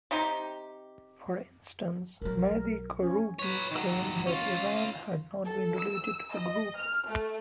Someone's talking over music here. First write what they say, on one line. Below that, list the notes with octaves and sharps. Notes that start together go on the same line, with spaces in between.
For instance, Mehdi Karroubi claimed that Iran had not been related to the group.
C3 D#4 G4
B1 F#3 A#4
C#4
B4 C#5
D#3 F#3
C#4 F4
A4
E6
D#5
F6
A3